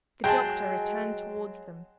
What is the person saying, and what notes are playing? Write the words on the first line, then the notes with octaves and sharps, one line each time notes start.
The doctor returned towards them.
F#3 G#3 G5 A5